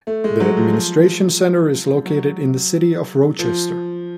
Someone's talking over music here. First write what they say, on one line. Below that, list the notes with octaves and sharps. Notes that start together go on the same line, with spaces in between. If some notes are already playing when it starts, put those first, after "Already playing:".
The Administration Center is located in the city of Rochester.
A3
G#3
F#3
F3
F3
F#3
F3